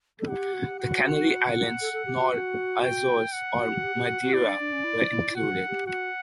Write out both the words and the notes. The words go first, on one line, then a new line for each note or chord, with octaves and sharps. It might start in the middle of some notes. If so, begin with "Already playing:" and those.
The Canary Islands, nor Azores or Madeira were included.
A4
G4 F#5
F#4
G4
F#4 F#5
A4
A4
G4
F#4
G5
F#5
F#4
G4
F#4
G4
G4
F#4
F#4
E4 D5
D4
D4
C#4
E4
E4
E4
F#4 F#5
G4
F#4 F#5